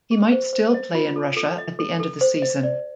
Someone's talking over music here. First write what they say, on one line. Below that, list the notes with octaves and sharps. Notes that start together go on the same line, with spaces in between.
He might still play in Russia at the end of the season.
G#4
C5
C5
D#5
F4
A4
A4
D#5
A4
A4
C5
D#5
D5